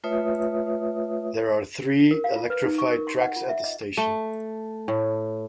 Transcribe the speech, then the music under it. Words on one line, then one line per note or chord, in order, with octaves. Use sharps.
There are three electrified tracks at the station.
A3 F4 B4 C#5 E5 D#6
A#4
F5
F4
B4
D#4
C#6
A#4
C6
F#5
F4
E5
D#5
A3
A2